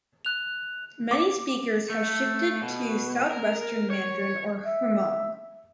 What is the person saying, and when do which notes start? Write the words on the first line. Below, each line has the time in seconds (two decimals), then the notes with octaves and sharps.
Many speakers have shifted to Southwestern Mandarin or Hmong.
0.25 F#6 F7
1.11 D6
1.90 A3
2.62 B2
3.31 A#4
3.90 C#5
4.64 E5